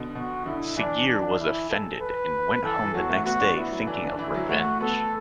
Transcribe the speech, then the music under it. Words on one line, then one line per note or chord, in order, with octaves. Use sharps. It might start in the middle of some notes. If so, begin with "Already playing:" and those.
Siggeir was offended and went home the next day thinking of revenge.
Already playing: B2 D3
B2 F#4
D3 E4
E3 D4
D4
E4
A4
B4
E3 A4
E3
F#3 F#4
A3
B3 F#4
D4
B3 E4
F#3
D3
E3 D4
D3
E3 E4
F#3
A3 F#4
B3 A4